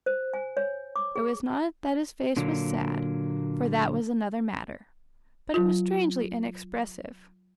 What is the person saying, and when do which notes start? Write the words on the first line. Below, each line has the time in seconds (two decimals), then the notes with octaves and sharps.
It was not that his face was sad, for that was another matter; but it was strangely inexpressive.
0.06 C5
0.34 G#5
0.57 C#5
0.96 D6
1.16 G#4
2.37 A#2 D3 F#3 A#3
5.54 F#3 F4